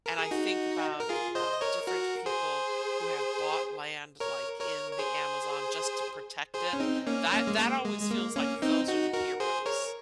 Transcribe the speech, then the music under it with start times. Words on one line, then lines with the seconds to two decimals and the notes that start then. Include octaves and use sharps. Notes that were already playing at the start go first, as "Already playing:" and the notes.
And I think about, um, different people who have bought land, like, in the Amazon just to protect it, that that always feels like those are the heroes.
0.06 A#4
0.19 G#4
0.31 D#4 F#4
1.00 A#4
1.09 F4 G#4
1.35 C5 D#5
1.53 D#5
1.61 A#4 C#5
1.87 F#4 A#4
2.26 G#4 C5
4.20 A#4 C#5
4.60 A#4 C#5
4.91 C#5
4.99 G#4 C5
6.54 G#4 C5
6.73 C#4
6.80 C4 D#4
7.07 A#3 C#4
7.32 A#3 C#4
7.47 G#3
7.58 A#3
7.85 G#3
8.01 G#3
8.11 A#3
8.36 A#3 C#4
8.62 C4 D#4
8.88 D#4 F#4
9.13 F#4 A#4
9.40 G#4 C5
9.66 A#4 C#5